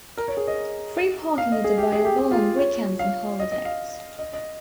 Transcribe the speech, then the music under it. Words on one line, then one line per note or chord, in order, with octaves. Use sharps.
Free parking is available on weekends and holidays.
A#4
C#5
G#4
D#5
F5
D#5
G#4
G4
G#4
G4
G4
F4
C#5
F5
D#5
D#5
F5
D#5
D#5